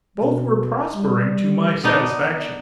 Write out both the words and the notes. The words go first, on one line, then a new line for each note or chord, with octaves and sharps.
Both were prospering to my satisfaction.
B2
G3
B3 D4 D#4